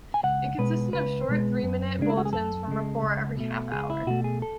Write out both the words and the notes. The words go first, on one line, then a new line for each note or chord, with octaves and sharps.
It consisted of short three-minute bulletins from "Rapport" every half-hour.
G#5
C#2 F#5
B2 G#3 B4
C#2 B4
B2 G#3
F#2
C#3 G#3 D4
E4
F#4
G#4
F#2 A4
C#3 G#3
C#2
B2 A3
C#2 G#4
E4
B2 A3 F#4
G#4
A4